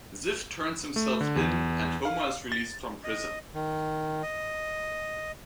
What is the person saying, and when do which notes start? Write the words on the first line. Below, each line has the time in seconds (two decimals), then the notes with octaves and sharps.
Ziff turns himself in, and Homer is released from prison.
0.96 A3
1.21 D3
1.36 E2
2.05 F5
2.52 A6
3.04 D#5
3.55 D#3
4.23 D#5